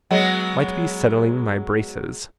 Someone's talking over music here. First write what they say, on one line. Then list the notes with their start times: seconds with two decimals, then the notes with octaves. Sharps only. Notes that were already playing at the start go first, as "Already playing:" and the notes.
Might be settling my braces.
0.11 F#3 G#3 B3